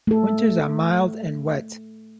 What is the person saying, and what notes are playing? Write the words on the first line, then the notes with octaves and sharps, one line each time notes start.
Winters are mild and wet.
A3 A4